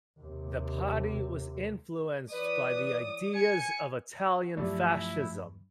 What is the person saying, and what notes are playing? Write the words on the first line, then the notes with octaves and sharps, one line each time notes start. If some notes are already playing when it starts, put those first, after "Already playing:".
The party was influenced by the ideas of Italian fascism.
D#2 C3
E3 B4 C#5 D5 D#6
G#5 G#6 C#7
G2 F3 F#3 A3 E4 G4 D5